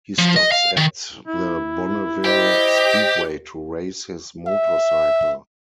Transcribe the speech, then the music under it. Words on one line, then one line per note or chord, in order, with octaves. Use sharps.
He stops at the Bonneville Speedway to race his motorcycle.
F3
D#5
F5
D#3
E4
G4 C5 D#5
E5